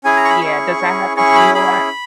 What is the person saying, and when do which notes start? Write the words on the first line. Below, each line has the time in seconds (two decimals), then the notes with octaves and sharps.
yeah, does that happen to you a lot?
0.04 C#4 E4 G#4 G#5
0.17 A#5
0.25 C#6
0.30 B5
0.41 C#4 E4 G#4 C#6
0.79 C#4 E4 G#4
1.17 C#4 E4 G#4 C#6
1.35 B5
1.54 C#4 E4 G#4 B5